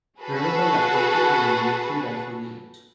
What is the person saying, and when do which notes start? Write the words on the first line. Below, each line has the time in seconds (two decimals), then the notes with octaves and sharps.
Rivabella competed in the military rifle event.
0.22 F#4 G#4 A4 B4